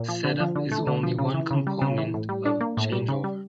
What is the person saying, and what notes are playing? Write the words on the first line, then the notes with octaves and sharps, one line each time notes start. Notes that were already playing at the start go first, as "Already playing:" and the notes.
Set-up is only one component of changeover.
Already playing: A#2
F3
D3
F3
D3
A3
D3
F3
C#3
E3
C#3
G3
C#3
E3
A2
G3
D4
A#3
A2
G3
C#3
G3